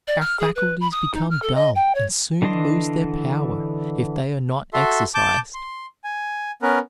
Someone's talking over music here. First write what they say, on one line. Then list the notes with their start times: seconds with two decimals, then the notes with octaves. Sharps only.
Our faculties become dull and soon lose their power if they are not exercised.
0.07 D5
0.21 F6
0.39 G#4
0.55 B4
0.80 B5
0.92 D#6
1.14 D#4
1.30 F6
1.42 A4
1.55 D#5
1.75 G5
1.95 C#5
2.42 D3 E3 D4 D#5 C6
4.74 F#4 A4 E5 C6
5.15 A5 D6 G6
5.54 C6
6.04 G#5
6.62 B3 C#4 A#4 B4